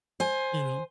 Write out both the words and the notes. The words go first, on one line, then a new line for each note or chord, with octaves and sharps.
You know?
C5 G#5